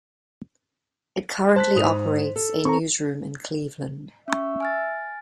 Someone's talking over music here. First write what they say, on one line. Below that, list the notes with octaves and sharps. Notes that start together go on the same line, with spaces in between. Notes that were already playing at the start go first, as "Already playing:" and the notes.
It currently operates a newsroom in Cleveland.
C5 A5 F#6 B6
G#2 D#6 F7
A4
C4 A4 A#5 C#6
C#4 E5 C#6
G#5 F6 A6